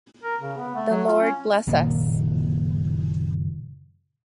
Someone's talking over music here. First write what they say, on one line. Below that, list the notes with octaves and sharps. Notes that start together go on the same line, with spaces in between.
The Lord bless us!
A#4
C#3
B3
A3
F#3
F4
C#4
F#1 A#2 D#3 A#3